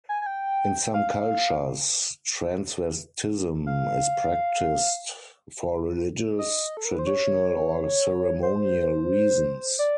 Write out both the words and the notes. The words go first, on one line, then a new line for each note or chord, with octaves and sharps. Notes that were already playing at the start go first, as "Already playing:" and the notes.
In some cultures, transvestism is practiced for religious, traditional or ceremonial reasons.
G#5
G#5
G5
F5
F5
D#5
A4
A#4
B4
C5
C#5
C5
D5